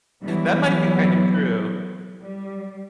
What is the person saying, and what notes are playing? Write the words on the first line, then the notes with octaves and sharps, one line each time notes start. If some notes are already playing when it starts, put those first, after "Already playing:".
That might be kind of true,
E3 F#3 G3 B3 E4
G3